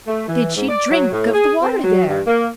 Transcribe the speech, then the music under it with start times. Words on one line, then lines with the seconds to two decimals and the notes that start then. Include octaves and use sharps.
"Did she drink of the water there?"
0.07 A3
0.28 E3
0.56 G#2
0.69 D5
0.91 F#3
1.12 A2
1.34 G#4
1.62 C4
1.84 F#3
2.08 G2
2.26 A#3